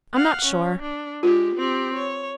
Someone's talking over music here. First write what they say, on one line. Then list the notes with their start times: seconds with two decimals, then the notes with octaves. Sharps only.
I'm not sure.
0.16 F5 F#5
0.45 C#4
0.82 D4
1.23 G#3 F4 G4
1.55 C4 G4
1.94 C#5